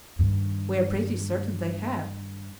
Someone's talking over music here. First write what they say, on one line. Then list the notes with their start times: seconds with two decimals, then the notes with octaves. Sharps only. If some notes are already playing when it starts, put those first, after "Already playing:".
"We are pretty certain they have."
0.19 G2 D#3